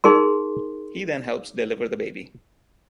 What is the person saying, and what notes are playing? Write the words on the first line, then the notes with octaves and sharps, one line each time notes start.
He then helps deliver the baby.
D#4 G#4 A#4 C6